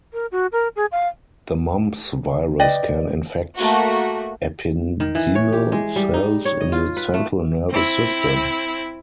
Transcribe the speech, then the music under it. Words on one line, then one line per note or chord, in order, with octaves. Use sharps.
The mumps virus can infect ependymal cells in the central nervous system.
A#4
F#4
A#4
G#4
F5
B4 D5 D#5 G5
A3 A#3 F#4
D#3
E3
C#5
G4
G#3
G3
D#4
C#5
D#5
F4
B4
A3
C4 E4